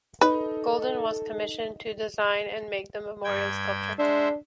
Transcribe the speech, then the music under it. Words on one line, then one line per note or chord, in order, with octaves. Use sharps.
Goulden was commissioned to design and make the memorial sculpture.
D#4 A4 B4
G2 G5 G#6
G#3 D4 C5 E5